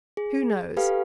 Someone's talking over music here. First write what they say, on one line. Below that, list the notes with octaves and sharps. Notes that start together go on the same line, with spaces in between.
Who knows?
G#4
G4 A4 B4 F5